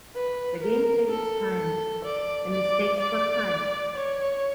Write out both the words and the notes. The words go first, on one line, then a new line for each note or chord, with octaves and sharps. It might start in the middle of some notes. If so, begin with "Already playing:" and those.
The gameplay is timed, and mistakes cost time.
B4
A#4
A4
D5
D5
D5
C#5